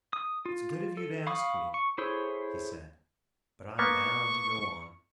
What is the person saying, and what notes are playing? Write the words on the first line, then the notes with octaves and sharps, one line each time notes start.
"It's good of you to ask me," he said, "but I'm bound to go on."
D#6
F4
A4
F5 B5 C#6 D#6
C#6
E4 G#4 A4 C5 C#5
A#3 B3 C#6